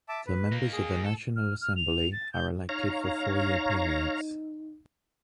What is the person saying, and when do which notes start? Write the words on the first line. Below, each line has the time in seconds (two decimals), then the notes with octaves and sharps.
The members of the National Assembly are elected for four-year periods.
0.08 E5 A5 D6
0.27 B4
0.52 A#3 D#4
0.72 G#4
1.04 A4
1.36 F6
1.61 F6
1.76 F7
2.12 A6
2.33 G6
2.69 D#4 C#5 F5 A#5